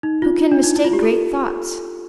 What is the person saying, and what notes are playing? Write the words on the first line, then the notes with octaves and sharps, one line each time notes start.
"Who can mistake great thoughts?"
D#4
F4
D4
D#4
E4
F4
G4
A4